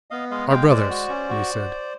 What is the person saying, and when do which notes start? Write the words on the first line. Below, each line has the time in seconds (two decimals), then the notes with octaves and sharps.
"Our brothers!" we said.
0.11 B3 D#5 F5
0.31 G#3 D#5 F5
0.50 G#3 F5 G5
0.70 G#3 C5 D5
0.90 F#4
1.09 C#4
1.29 F#4